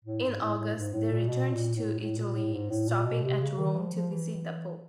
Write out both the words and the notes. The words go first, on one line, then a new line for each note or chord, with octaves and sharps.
In August, they returned to Italy, stopping at Rome to visit the Pope.
A2
G#2
A2
A2
G#2
A2
A#2
B2
A#2
A2
A2
A#2
A2
G#2
A2
A#2
B2
C3
C#3
D#3
F3
F3
E3